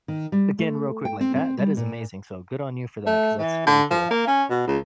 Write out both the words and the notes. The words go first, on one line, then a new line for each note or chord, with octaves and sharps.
again, real quick, like, that that is amazing, so good on you for that 'cause that's really cool.
D#3
G3
A3
G5
C4
C4
G3
A#2
A3
E3
D3
F3
A#3
C#4
B2
C#2